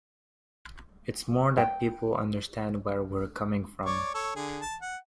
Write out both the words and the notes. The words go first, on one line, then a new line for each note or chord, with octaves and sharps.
It's more that people understand where we're coming from.
G5
C#5 D5 C#6
A4 C#5
D3 G#4
A5
F#5